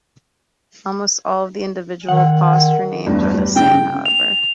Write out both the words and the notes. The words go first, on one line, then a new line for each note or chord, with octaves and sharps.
Almost all of the individual posture names are the same, however.
D#3 F#5
E2 G2
G3
C#3 G5
F7